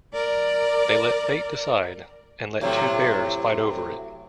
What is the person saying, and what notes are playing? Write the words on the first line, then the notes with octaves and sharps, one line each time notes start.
They let fate decide and let two bears fight over it.
A#4 D5
A2 C3 F#3